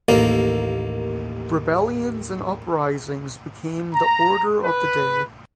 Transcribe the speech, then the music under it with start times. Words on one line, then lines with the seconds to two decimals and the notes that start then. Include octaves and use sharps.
Rebellions and uprisings became the order of the day.
0.09 A1 D#2 A#3
3.93 A#5
4.63 B4